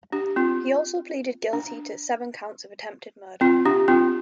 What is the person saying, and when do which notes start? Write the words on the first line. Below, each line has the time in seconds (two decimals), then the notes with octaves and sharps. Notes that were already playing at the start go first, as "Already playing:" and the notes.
He also pleaded guilty to seven counts of attempted murder.
0.12 D4 G4
0.36 C4 F4
1.53 D4
3.41 C4 F4
3.65 D4 G4
3.88 C4 F4